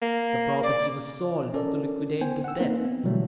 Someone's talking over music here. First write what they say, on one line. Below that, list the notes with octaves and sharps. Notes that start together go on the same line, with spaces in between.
The property was sold to liquidate the debt.
A#3
D5
C#4 A4 A#4 D5
B3 C5 G5 G#5
F#5 E6
A#3 C4 D#4 B4
B3
B2 D3 E3 F#3 G3 A3